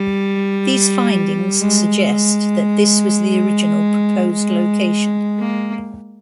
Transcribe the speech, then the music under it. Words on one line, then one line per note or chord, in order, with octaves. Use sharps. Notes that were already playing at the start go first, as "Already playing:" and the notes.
These findings suggest that this was the original proposed location.
Already playing: G3
G#3
A#3